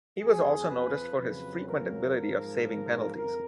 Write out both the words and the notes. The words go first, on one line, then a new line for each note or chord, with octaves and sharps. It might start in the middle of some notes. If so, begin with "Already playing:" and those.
He was also noticed for his frequent ability of saving penalties.
F2 F3 G#4
B4
F2 C#3 F#3 B4
A#4
G#2 F3
F2 A#4